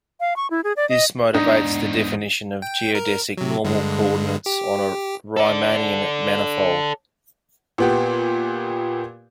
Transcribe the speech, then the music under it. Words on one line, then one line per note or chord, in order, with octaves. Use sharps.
This motivates the definition of geodesic normal coordinates on a Riemannian manifold.
F5
C#6
E4
G#4
D5
D#5
E2 G#2 D4 D#4
G5
A#4
C3 F#3
G2 D3 G#3
G4
A4 D5
A#2 B3 G4